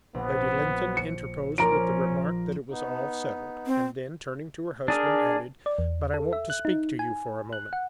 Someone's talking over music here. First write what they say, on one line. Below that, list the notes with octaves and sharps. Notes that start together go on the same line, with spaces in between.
Lady Lynton interposed with the remark that it was all settled; and then, turning to her husband, added: "But I want to speak to you for a moment."
A#1 B3
C#7
F3 C#4 F4 A#4 D5 A#5 D7
B3 D#4
C4
D4 G#4 A#4
D5
E2
A4
E5
F#6
D#4
G#5
F#6
F#5